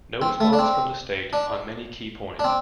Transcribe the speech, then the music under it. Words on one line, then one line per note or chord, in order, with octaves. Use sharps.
No response from the state on many key points.
C4
A3
D4
C4
D4
D4
C4